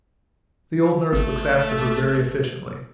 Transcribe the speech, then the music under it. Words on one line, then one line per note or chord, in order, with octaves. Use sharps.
The old nurse looks after her very efficiently.
G#1 A3